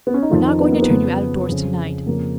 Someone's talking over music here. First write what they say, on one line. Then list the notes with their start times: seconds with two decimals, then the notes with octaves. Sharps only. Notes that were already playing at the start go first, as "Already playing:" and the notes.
We're not going to turn you out-of-doors to-night.
0.07 B3
0.14 C#4
0.22 D#4
0.31 F2 D#3 F4
0.46 D#4
0.60 B3
0.72 A#3
0.82 B3
0.90 F2 C#3
1.49 F2 C#3
2.07 F2 C#3 A#3